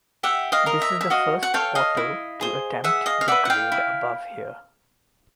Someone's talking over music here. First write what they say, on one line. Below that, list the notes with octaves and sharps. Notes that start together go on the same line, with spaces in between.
This is the first auto to attempt the grade above here.
G4 E5 F#5
D#5 F5
A#4 D#5
E5
E5
F#4 D#5 F5
F#5
A4 C#5 F5 G5
D#5 F5
E4
G#4 C5
G#4 E5 F#5
D#5 F5
F5
B4 D5 E5 F#5
F#5
F5 G5
E4